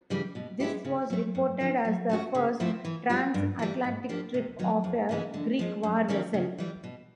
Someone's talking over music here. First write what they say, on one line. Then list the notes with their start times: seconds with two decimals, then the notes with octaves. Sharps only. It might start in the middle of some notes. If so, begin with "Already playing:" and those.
This was reported as the first transatlantic trip of a Greek war vessel.
0.10 C#3 E3 G3
0.35 B2
0.60 G#3 B3 E4 G4
0.85 C#3
1.10 F#3 A3
1.35 F#2
1.60 D3 F3
1.85 F#3
2.10 A3 C#4 F#4
2.35 C#3
2.60 F3 A3 C4 E4
2.85 E3
3.09 G3 C4 F4
3.34 G2
3.59 E3 G3
3.84 G#2
4.09 F3 A#3 D4 G4
4.34 C3
4.59 D#3 F#3 B3 D#4
4.84 F2
5.09 C#3 E3 G#3 B3
5.34 D3
5.59 F3 G#3
5.83 F#2
6.08 D#3 G3 A#3 C#4
6.34 C#3
6.58 E3 G3
6.84 B2